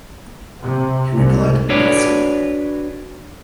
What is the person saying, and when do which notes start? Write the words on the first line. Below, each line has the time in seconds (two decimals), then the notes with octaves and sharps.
He replied, "Nilsson".
0.61 C3
1.14 C2
1.69 D4 F#4 B4 C#5 D5